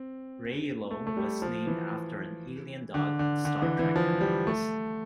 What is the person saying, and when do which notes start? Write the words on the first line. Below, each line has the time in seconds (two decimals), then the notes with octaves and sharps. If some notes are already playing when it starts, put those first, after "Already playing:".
Railo was named after an alien dog in Star Trek Enterprise.
Already playing: C4
0.91 A3
1.07 A3
1.17 G3
1.42 F3
1.67 E3
2.94 D3
3.19 D3
3.45 D3
3.62 E3
3.79 E3
3.96 F3
4.21 G3
4.47 A3